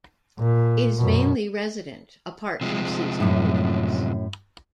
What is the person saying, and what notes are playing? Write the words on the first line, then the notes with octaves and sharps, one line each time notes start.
It is mainly resident, apart from seasonal movements.
A#2
F#2 B2
C3 F3 G#3
F#2 A2